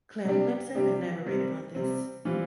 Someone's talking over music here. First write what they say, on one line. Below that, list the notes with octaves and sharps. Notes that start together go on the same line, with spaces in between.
Clem Clempson elaborated on this.
C3 G3 D4 G4
C3 G3 D4 G4
C3 G3 C4
C3 G3 C4
E3 G3 C4 F4